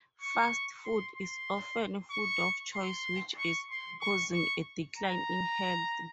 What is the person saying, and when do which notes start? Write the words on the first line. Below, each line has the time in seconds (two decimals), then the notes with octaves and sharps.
Fast food is often food of choice, which is causing a decline in health.
0.21 C#6
0.84 C6
1.16 C6
2.11 C#6
2.74 C6
3.38 C#6
3.70 C6
4.01 C#6
4.33 C#6
4.97 A#5